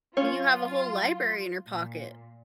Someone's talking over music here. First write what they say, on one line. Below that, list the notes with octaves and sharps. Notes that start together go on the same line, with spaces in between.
Do you have a whole library in your pocket?
F#3 C#4 F4 C#5
A#2